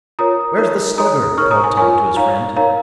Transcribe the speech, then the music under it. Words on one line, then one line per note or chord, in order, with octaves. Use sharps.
"Where's the Slugger?" called Tom to his friend.
F4 A#4 C#5 A#5 D#6
D#4 A#4 C#5
D#4 G#4 C#5 A#5 D#6
D#4 A#4 C#5 C#6 F6
A#5 D#6
G#5 C#6
F4 A#4 C#5 G#5 C#6
D#4 C#5 F5 A#5
D#4 A#4 C#5 F5 A#5